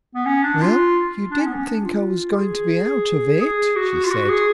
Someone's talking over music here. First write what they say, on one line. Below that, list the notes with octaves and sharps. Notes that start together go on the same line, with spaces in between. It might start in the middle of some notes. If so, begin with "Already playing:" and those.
"Well, you didn't think I was going to be out of it," she said.
B3
C#4
D4
F4
D4
C#4
B3
C#4
D4
F4
G#4
G#4
F#4
F4
F#4
G#4